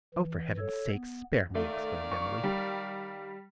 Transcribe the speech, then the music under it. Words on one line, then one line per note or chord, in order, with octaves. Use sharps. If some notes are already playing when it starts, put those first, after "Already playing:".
'Oh, for Heaven's sake, spare me!' exclaimed Emily.
E3
A4 C#5
B3
D#3 A3 D5 F5
C#6
G3